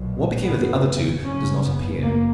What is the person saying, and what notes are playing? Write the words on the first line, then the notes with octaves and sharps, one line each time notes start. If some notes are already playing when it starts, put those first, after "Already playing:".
What became of the other two does not appear.
Already playing: B1 A#2
G#1 F#2 C#3 B3
F#1 F#2 C#3 C#4
B3
F#1 F#2 A#3